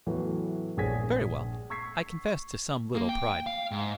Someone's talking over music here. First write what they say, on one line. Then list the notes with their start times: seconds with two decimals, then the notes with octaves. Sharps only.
Very well: I confess to some little pride.
0.07 A2 E3 F#3 B3
0.77 A#1 G2 G#4 C#5 G#6 B6
1.70 C#6 E6 G#6 B6 C7
2.95 A#3
3.09 G5
3.47 F5
3.71 G#2